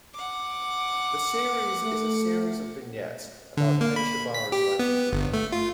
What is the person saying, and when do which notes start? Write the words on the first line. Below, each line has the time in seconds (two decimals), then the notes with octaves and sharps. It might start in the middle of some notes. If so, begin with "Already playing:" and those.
The series is a series of vignettes about Hayashibara's life and career.
0.13 F#5 D6
1.84 A3
3.57 D3
3.81 A#3
3.96 B5
4.34 B6
4.52 G4
4.79 B3
5.13 G1
5.34 A3
5.52 F4